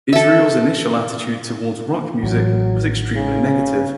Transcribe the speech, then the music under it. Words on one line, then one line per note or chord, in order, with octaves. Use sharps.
Israel's initial attitude toward rock music was extremely negative.
A4 E5
A1 F#3
C#3